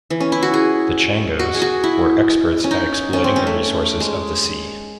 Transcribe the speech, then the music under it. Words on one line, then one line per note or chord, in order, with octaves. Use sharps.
The Changos were experts at exploiting the resources of the sea.
E3
C#4
E4
F#4
G#4
F#4
G#4
F#4
E4
C#4
D#4
C#4
C4
C#4
A3
G#3